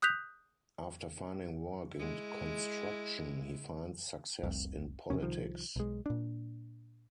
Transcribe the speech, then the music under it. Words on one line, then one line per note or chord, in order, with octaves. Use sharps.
After finding work in construction, he finds success in politics.
D#6 F#6 G6 B6 F7
G#3 E4
F1 C2
F2 A2 C3 C#4
C2 D#3 F3
B1 G#3
A#2 D4